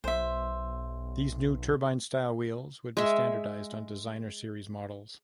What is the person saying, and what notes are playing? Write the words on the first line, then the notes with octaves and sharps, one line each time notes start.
These new Turbine Style wheels would be standard on Designer Series models.
B1 C5 E5
G#3 E5